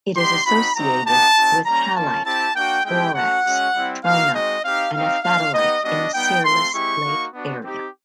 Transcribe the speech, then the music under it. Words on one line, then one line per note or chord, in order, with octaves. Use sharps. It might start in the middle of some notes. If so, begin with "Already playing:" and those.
It is associated with halite, borax, trona and aphthitalite in the Searles Lake area.
G3 B3 D#4 G4 C6
C4 D#4 F#4 B5
G3 C4 D#4 F#4 A#5
B3 D#4 G4 A5
C4 D#4 F#4
G3 A#3 C#4 A#5
A#3 C#4 F4 A5
C4 E4 G4 A5
A#3 D4 F#4 G5
G#3 C4 E4 G4 G5
A3 C#4 F#4 F#5
G#3 C#4 F#4
G3 C4 E4
A#3 D#4 F#4 F5
G#3 C4 D#4 F#4 D#5
C4 D#4 G4 F5
C4 D#4 G4 F5
A#3 D4 F4 F5
B3 D#4 G4 D#5
G3 B3 D4 F#4 D#5
G3 B3 D#4 G5
A3 C4 F4 C6
G#3 C4 E4 G4 C#6
A#3 D#4 F#4
B3 D4 F#4
C4 D#4 G4